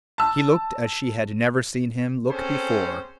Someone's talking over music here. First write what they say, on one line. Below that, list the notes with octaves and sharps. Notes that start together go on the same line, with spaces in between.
He looked as she had never seen him look before.
A5 E6
C4 C#4 G#4 A4 C5